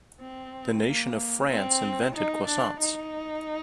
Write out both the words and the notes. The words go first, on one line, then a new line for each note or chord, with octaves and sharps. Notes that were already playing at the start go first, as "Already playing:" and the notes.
The nation of France invented croissants.
C4
A#3
C4
D#4
D4
D#4